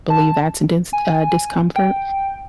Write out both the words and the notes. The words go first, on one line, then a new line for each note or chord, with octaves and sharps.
believe that's a dense uh, discomfort,
A5
G#5
G5